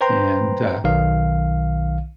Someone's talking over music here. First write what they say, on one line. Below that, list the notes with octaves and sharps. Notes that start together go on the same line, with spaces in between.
and, uh,
B4 C5 G5 A#5 C6
B1 D#3 F5